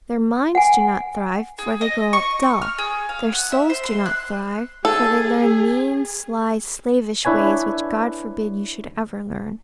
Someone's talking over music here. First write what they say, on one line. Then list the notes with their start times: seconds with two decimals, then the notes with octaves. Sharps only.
Their minds do not thrive; for they grow up dull. Their souls do not thrive; for they learn mean, sly, slavish ways, which God forbid you should ever learn.
0.55 F#5 G#5
1.59 G#4
1.81 D#5
2.13 C#6
2.42 C#6
2.62 F6
2.78 G#4
3.09 F5
3.32 F#5
3.52 E5
3.70 C5
3.84 C6
4.06 F#6
4.85 G#4 A4
7.25 D4 E4 B4 C#5 G#5